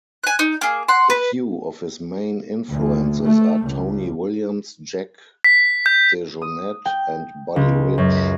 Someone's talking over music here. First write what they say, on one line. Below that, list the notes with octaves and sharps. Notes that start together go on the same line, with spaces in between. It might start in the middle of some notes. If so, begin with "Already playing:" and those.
A few of his main influences are Tony Williams, Jack DeJohnette and Buddy Rich.
G#5 F#6
D#4
A#3 G#4
F#5 C6
B4
D2
A3
C#2
B6
G6
D#6
G5
C#2
F#2